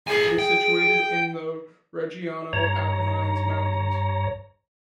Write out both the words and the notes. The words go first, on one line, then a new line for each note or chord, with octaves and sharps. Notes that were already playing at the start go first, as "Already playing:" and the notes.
It is situated in the Reggiano Apennines mountains.
G#4 A4 G#5
G5
G2 C#5 A#5